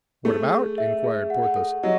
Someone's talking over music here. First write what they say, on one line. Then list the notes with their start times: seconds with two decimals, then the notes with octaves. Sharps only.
"What about?" inquired Porthos.
0.25 A3 G#4
0.51 G#4
0.78 E5
1.04 G#4
1.30 F#5
1.56 A4
1.83 F#3 D#5